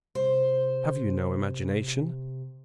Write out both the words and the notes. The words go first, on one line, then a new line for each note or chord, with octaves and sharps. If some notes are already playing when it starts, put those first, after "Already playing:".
Have you no imagination?
C3 C5